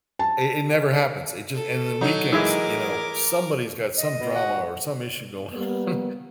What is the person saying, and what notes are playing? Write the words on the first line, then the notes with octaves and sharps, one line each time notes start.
it it never happens, it just and then weekends, you know, somebody's got some drama or some issue going on.
A5
A4
F#3 D#4
E3 G#3 A#4 E5 D6
D#5
B2
F#4
G3 A#3 B3